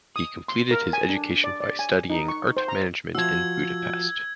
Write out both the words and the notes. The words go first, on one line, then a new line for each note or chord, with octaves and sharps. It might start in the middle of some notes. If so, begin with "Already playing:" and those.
He completed his education by studying Art Management in Budapest.
D#6
C6
A#4
G#5
D4
D5
D5
G#5
D#4
C#6
C5
A#5
F3 F#4 E6 G#6